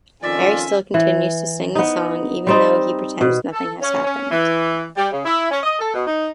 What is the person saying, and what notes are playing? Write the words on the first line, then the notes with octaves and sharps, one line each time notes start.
Harry still continues to sing the song, even though he pretends nothing has happened.
F2 D#3 C#4 F4 D5 E5 G#5
E3
B3 D#4
G3 C4 D#4
B2
A4
C#4
C#4
E3
G3
C#3
E4
C#4
D#5
A4
B2
D#4